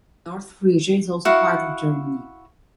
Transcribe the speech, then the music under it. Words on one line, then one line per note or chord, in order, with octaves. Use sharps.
North Frisia is also part of Germany.
E4 F#4 F5 F#5